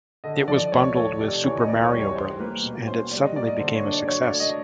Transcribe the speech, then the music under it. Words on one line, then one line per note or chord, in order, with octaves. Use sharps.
It was bundled with "Super Mario Brothers" and it suddenly became a success.
D3 D#5
F3 D5
D2 C#5
A3 C#5
C3 D5
E3 C#5
D#5
D2 D5
C#5
G3
C#5
G3 C5
A#3 B4
B2
C#4 C5
G3 D5
D#5
A#3 D5
D#5
D3 C5
C#5
D4
D5
F#3 C#5
D5
A3
D#5